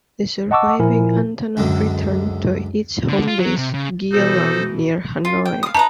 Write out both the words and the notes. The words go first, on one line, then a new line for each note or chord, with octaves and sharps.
The surviving Antonov returned to its home base, Gia Lam, near Hanoi.
D#5 F#5 A5 C#6 D6 E6
A#2 F3 E4 A#4 G#5
C#2 F#2 D3
D3
F4
F#3
C3
C#3
B2 E3 D#4 F#4 A4 C5
F4
G5
F5 D#6
D#4 B4 A5 A#5